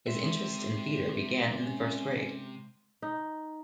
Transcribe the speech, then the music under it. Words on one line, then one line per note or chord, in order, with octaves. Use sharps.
His interest in theatre began in the first grade.
C3 G#3 E5 C6
C#4
D#4